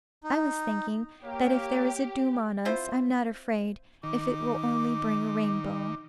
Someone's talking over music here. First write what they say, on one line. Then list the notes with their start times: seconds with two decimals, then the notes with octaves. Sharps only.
I was thinking, that if there is a doom on us, I am not afraid, if it will only bring a rainbow.'
0.24 D#4
1.24 A#3 G4 C#5 G5
2.65 C4 E4 F4 C5
4.03 D#3 D6